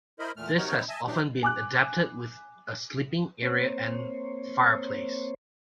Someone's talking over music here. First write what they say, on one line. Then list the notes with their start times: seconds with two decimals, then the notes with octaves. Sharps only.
This has often been adapted with a sleeping area and fireplace.
0.19 E4 A#4 C5 D#5 B5
0.37 E2 A#2 A3 F6
0.57 C3 D#4 F#4 A#4 C#5
0.76 C4 D#4 E4
0.89 D#5 E5 G#5 A5
1.07 E3 F#3 D4 D#4 G4
1.43 G#5 D6 F#6
3.42 A#3 C4 C5 C#5